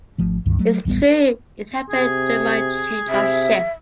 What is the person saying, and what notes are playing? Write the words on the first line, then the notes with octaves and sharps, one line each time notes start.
It's true, it happened during my change of shift.
G#1 F3 A3
C#2 G2 D#3
F#3 A3
D1 A1 G3 B3
C3 G#4
C3 E5